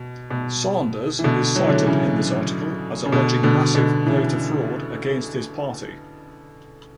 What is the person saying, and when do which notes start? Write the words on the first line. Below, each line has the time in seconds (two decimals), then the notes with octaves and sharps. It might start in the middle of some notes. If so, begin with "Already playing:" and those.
Sanders is cited in this article as alleging massive voter fraud against his party.
Already playing: B2
0.31 B2
1.19 E3
1.24 B2 D3
1.56 F#3
1.63 E3
1.70 D3 F#3
1.87 C#3 E3
3.06 C#3
3.12 B2 D3
3.43 B2 D3
3.75 B2 D3
4.06 C#3 E3